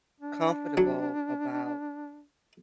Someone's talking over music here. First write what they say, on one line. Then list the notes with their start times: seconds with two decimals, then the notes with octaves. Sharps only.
comfortable about,
0.20 D4
0.77 F#3